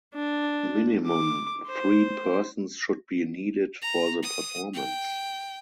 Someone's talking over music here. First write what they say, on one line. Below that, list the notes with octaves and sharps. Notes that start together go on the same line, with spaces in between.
Minimum three persons should be needed for the performance.
D4
D6
C5
A#5
D#6
G5